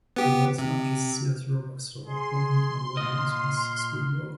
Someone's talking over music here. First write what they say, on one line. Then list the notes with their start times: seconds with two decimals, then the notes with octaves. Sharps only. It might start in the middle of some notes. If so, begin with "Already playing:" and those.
The world's largest Sears Roebuck store opened on what once was skid row.
0.16 B3 G4
0.59 C3
2.05 G#4 C6
2.97 A#2 D#5 F6